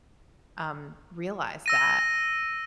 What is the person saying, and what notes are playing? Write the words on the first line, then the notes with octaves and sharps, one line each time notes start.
um, realized that.
E6 A#6 D#7